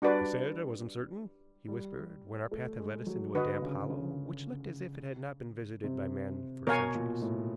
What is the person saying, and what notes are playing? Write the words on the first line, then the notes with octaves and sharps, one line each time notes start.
"I said I wasn't certain," he whispered when our path had led us into a damp hollow which looked as if it had not been visited by man for centuries.
G3 D4 F#4 B4 D5
G3
A3
G#3
F#3
D3 F#4 B4 D#5
C#3
C#3
C3
B2 A#4 C#5 F5 G#5 C#6
A#2
A2